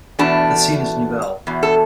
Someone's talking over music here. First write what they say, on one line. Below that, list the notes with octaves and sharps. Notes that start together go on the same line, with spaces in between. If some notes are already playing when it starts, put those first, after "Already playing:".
The seat is Nouvelle.
E2 B2 A3 D4 A5
E2 B2
A4